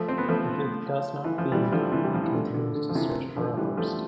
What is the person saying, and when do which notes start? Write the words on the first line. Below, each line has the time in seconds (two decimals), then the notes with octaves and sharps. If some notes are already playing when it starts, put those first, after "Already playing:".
If it does not feed, it continues to search for a host.
Already playing: F3 A3
0.08 C4
0.18 B3
0.28 F3 A3
1.24 E3
1.38 F3
1.52 E3 G3
1.72 D3 F3
1.92 C3 E3
2.04 G3
2.14 F3
2.24 E3
2.34 D3
2.54 D3
2.75 D3
2.89 F3
2.95 C3 E3
3.36 D3 F3
3.57 E3 G3
3.77 F3 A3